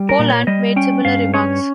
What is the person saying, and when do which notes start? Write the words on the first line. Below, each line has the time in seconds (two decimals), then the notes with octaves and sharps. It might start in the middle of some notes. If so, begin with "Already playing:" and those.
Poland made similar remarks.
Already playing: G3
0.09 A#4
0.19 A#2
0.28 C#5
0.47 G3 D#5
0.76 C#4 G5
1.05 G2 F5
1.34 C#4 C#5